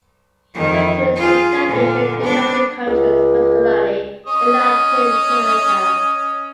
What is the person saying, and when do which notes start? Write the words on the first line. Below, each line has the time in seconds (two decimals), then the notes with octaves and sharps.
Factories were established in developing countries, particularly in Latin America.
0.54 F2 D#3
1.16 F4 G#4
1.68 A#2 D3
2.22 B3 D4
2.86 C#2
4.26 C#4 D#5